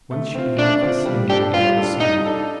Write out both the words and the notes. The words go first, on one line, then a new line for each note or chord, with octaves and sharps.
Once she began questioning him about his son.
A3
C4 F4
A3 D4
C4 F4
G3
D4 G4 A4
G3 F4
A4
D4
G3 D#4
D4 A4